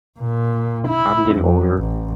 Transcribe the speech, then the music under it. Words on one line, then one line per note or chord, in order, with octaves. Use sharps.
I'm getting older,
A#2
E4
F2
A1